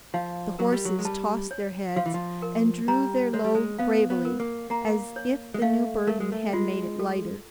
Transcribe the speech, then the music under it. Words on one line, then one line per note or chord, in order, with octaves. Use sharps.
The horses tossed their heads and drew their load bravely, as if the new burden had made it lighter.
F3 F5
F#3 A#4
G3
F#3
G#3
G3 A5
C#5
F3 F5
E3
F3
A#4
G3 A#5
G#3 C#5
G3
G#3
B3 F5
B3
A#4
A#3
A#3 A#5
C#5
G#3
A3 F5
A3 A#4
G#3
A3
G#3 F4
A4